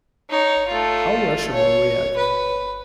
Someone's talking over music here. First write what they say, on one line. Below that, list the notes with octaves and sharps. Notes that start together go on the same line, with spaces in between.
How Russia will react?
D#4 C#5
A3 F4
C#5
B4